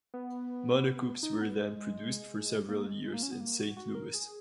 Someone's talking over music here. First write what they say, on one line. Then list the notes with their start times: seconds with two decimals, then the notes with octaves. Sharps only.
Monocoupes were then produced for several years in Saint Louis.
0.14 B3
1.23 D#4
1.41 B3
1.60 G#3
2.68 A#3
2.87 G#3
3.04 G#3
3.14 A#3
3.23 C#4
3.31 B3
3.40 A#3
3.60 F#4
3.77 F#4
3.95 A#4
4.14 G#4